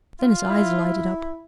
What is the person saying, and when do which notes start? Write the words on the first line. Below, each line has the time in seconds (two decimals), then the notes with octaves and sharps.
Then his eyes lighted up.
0.20 F4
0.50 E4